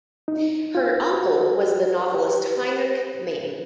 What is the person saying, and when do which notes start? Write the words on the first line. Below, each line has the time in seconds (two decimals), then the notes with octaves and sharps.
Her uncle was the novelist Heinrich Mann.
0.28 D#4
0.75 F4
1.21 F#4
1.59 G4
1.67 F#4
2.14 G4